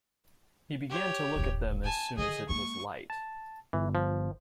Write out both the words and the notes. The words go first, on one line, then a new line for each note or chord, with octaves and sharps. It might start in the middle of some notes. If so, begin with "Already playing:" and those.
He began to look at them as soon as it was light.
G4 C#5
D#1 A1
G#5 A5
D3 D#3 G#4 D#5
G#3 A#3 C#6
A5
G1 E3
F3